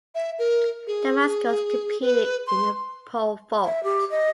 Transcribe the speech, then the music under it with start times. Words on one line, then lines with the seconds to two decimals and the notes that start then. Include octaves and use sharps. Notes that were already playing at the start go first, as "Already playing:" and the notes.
Damaskos competed in the pole vault.
0.15 E5
0.39 A#4
0.87 G#4
2.02 B4
2.47 C6
3.65 E5
3.84 G4
4.10 D#5